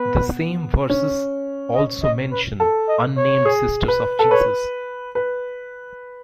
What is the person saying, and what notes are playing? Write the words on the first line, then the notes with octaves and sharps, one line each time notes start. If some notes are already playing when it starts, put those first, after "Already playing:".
The same verses also mention unnamed sisters of Jesus.
Already playing: B3 B4
C#4
D#5
D#5
B4
A4
D#5
C#5
G#4
B4
A4
B4 C#5
B4